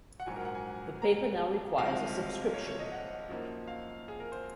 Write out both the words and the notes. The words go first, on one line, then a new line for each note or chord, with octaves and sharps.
The paper now requires a subscription.
F#5
A#1 G#2 F#3 G#5
A#4
F#5
G#5
A#5
C2 C3 F3 G#3 D#4 F5
C#5
C#5
D#5
F#5
F#2 F3 A#3 D#4
F5
G#4
A#4
C5